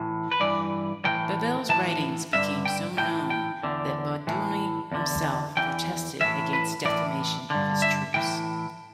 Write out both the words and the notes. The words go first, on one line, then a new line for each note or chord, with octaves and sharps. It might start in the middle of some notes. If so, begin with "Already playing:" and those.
Babel's writings became so known that Budionny himself protested against "defamation" of his troops.
Already playing: A2 E3
B4
G2 E3 D5
A2 E3 G5
A2 E3 A5
G2 D3 E5
G5
A2 E3 G5
G5
E2 D3
A2 E3
E2 D3
E2 E3 G5
A2 E3 E5
B4
A2 E3 D5
G2 D3
E5
A2 E3 G5